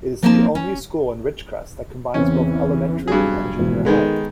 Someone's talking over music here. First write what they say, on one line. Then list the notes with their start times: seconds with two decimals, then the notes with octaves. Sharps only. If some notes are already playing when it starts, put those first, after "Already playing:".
It is the only school in Ridgecrest that combines both elementary and junior high.
0.22 F3 A#3 C4 D#4 C5 A5
0.55 C#4
2.14 E2 C#3 E3 C4 C#4
3.08 F1 G2 F#3 G#4
3.59 G#1 B2 E3
3.85 D#3 G#3 B3 D#4 A4 A#4